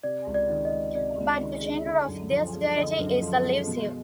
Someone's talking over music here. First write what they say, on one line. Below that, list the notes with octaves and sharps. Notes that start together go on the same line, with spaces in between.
But the gender of this deity is elusive.
C3 D5
C#2
D5
D#3
D#5
G#3
C3 D5
C#2
D#3
G#3
D3
F#2
F3
G#3
D3 D#5
F#2
F3
G#3
B2